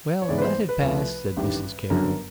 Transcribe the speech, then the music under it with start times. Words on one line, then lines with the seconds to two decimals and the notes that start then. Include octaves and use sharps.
"Well, let it pass," said Mrs Carey.
0.22 C#5
0.29 G#2 E3 G#3 B3 D5
0.38 B4
0.42 C5
0.69 B4
0.82 C2 C3 F3 A3
1.36 A1 G2 D#3 G3
1.90 G1 F#2 D3 F#3 A#4